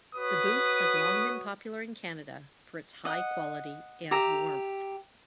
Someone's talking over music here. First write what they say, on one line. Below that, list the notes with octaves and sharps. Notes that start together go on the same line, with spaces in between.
The boot has long been popular in Canada for its high quality and warmth.
F#4 B4 C#5 D#6
D#5 F#5
G4 E5 A#5